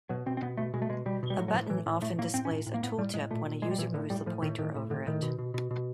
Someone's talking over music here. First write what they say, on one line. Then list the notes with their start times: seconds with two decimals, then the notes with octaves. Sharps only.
A button often displays a tooltip when a user moves the pointer over it.
0.09 B2 F#3
0.26 B2 C4
0.37 C4
0.42 B2 B3
0.57 B2 A3
0.74 B2 G#3
0.82 A3
0.89 B2 G#3
1.06 B2 G3
1.23 B2
1.30 G3
1.38 A2 F#3
1.48 F#3
1.54 A2 F3
1.69 A2 E3
1.86 A2
2.02 A2 A3
2.18 A2 A#3
2.34 A2 C4
2.45 C#4
2.51 A2
2.66 A2
2.74 A#3
2.83 A2 B3
2.98 A2 G3
3.14 A2 G#3
3.30 A#2 A3
3.46 A#2
3.62 A#2 G#3
3.71 G3
3.78 A#2 E3
3.94 A2 D3
4.10 A2 G3
4.26 A2 F3
4.42 A2 D#3
4.58 A2 D#3
4.75 A2
4.90 A2 D3
5.07 A2 D#3
5.23 B2
5.39 B2
5.54 B2
5.71 B2